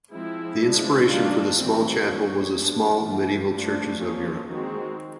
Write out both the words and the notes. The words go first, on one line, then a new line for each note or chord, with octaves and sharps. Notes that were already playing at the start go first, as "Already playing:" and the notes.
The inspiration for this small chapel was the small medieval churches of Europe.
F3 G#3 C4 E4
F3 G#3 B3 D4
D#3 G3 A#3 D4 F4
E3 A3 C4 F#4
D#3 G3 A#3 C#4
F3 G#3 B3 D4 F4
E3 G3 A#3
F3 A3 D4
F3 A#3 C#4
D#3 G#3 C4 F#4